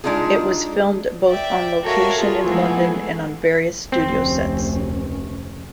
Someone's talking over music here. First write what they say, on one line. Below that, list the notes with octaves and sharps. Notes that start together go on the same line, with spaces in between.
It was filmed both on location in London and on various studio sets.
G#3 D4 D#4 F4 G#4
D5 E5 G5
F#4 A4 A#4 C#5 E5 F5
F4 G#4 A4
E3 F3 G#3 A3 B3 G#4
F1 D2 C4 C#4